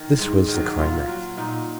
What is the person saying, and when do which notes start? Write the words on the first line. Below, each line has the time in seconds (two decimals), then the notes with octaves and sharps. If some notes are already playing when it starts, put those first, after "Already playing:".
This was the climax.
Already playing: D#3
0.19 G#2
0.48 D#3 F#3
0.78 A#2 F4
1.08 F#3
1.37 A#2 D#4